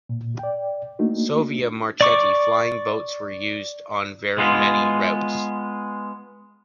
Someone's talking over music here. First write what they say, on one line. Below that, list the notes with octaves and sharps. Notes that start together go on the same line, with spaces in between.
Savoia Marchetti flying boats were used on very many routes.
A#2
D5 G5
A3 A#3 D4 D#4 F#4
D5 C#6 D6
G#3 B3 F4